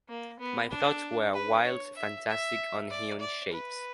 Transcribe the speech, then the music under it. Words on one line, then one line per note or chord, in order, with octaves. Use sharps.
My thoughts wear wild, fantastic, unhewn shapes.
A#3
B3
D4
B4
C#5
E5
E5
D5
D5
B4